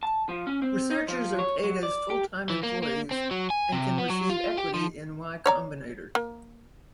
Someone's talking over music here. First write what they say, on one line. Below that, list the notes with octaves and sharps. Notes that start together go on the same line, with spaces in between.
Researchers are paid as full-time employees and can receive equity in Y Combinator.
A5
F3
C#4
C4
D#4
F3
C#5
F#3
D5
G4
E3
A#3
A#3
C4
F#3
G#5
C3
B3
F#3
F4
G4
F3
C#5 D5 A#5
A#3